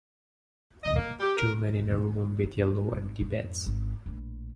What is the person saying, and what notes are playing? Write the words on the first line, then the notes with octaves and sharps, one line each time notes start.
Two men in a room with yellow empty beds.
D#5
A#3
G4
A#4
A2
D#3 F3
G#1
F2 G#2
G#1
A#1 A2